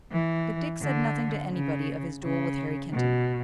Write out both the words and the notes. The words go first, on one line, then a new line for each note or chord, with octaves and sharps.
But Dick said nothing to anybody of his duel with Harry Kenton.
E3
D3
C#3
C#3
B2